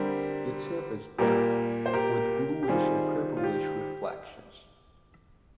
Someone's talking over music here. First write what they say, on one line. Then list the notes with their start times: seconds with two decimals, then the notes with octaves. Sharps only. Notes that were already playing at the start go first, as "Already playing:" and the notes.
The tip is black, with bluish and purplish reflections.
Already playing: D3 G3 C4 G4 A#4
1.18 A#2 G3 A#3 G4 A#4
1.86 C5
1.93 G4 A#4
2.63 G4
2.68 D#3 G3 C4 D#4 F4 G#4
3.37 F4
3.44 G4